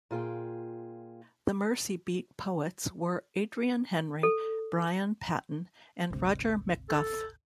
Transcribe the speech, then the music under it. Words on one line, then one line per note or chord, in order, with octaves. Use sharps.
The Mersey Beat poets were Adrian Henri, Brian Patten and Roger McGough.
A#2 F4 G#4 G5
A4
G#1 D2 C3
A4